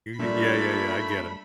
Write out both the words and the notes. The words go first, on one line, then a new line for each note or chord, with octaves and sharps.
y y yeah, yeah, yeah, I get it.
A#2 G3 A3 D4 B5